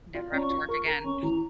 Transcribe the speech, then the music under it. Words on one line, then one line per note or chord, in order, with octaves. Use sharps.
Never have to work again.
F4 D5
C#4 A#5
C#6
F4
A#4 C#6
A#4 A#5
C#4 C#6
E3 A#5